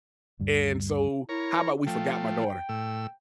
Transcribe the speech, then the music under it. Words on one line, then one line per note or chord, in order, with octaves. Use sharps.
and so, how 'bout we forgot my daughter?
D2 G2
E4 A#4 C#5
F3 A3 G5
A2 E6